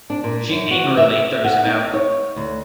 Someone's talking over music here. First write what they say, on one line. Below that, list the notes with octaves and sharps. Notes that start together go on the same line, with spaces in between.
She angrily throws him out.
D4
A#2
F#2
F#4
E5
F#5
D#4
C#5
D2